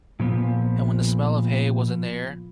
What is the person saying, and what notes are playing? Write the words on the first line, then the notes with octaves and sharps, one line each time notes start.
And when the smell of hay was in the air!
A#2 F3 B3